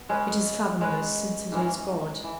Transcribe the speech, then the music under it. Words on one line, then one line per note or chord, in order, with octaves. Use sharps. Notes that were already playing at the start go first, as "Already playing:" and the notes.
It is fathomless, since it is God.
Already playing: B3
G#3 C#4 G#4 B4
G#3 C#4 G#4 B4
G#2 E3 G#3 C#4
E3